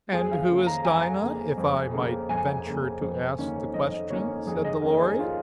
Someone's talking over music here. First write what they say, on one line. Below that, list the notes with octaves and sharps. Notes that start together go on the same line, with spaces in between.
'And who is Dinah, if I might venture to ask the question?' said the Lory.
F2 G#4
F5
C#3 A#3
A#5
F2 G#5
C#3 A#3
F2
C#3 A#3
F2 G#5
C#3 A#3
F2
D#3 A#3 C#4
F2 D#5
D#3 A#3 C#4 C#5
F2 G#4
D#5
D#3 A#3 C#4 A#4
G#4
F4